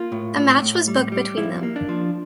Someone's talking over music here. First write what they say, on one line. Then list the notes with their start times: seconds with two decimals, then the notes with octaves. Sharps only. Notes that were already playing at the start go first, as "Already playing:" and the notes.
A match was booked between them.
Already playing: A#3 F4
0.12 A2
0.37 A2
0.62 A2
0.88 G3
1.12 G3
1.38 F3 E4
1.63 A#3
1.76 D4
1.89 F3